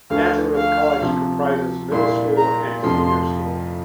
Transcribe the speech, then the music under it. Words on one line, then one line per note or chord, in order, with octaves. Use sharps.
Nazareth College comprises a Middle School and Senior School.
D2 D3 F3 A3 F5
F5
C3 F3 C4
A#2 G3 A#3 E4 C6
A#5
F2 C3 F3 A3 C6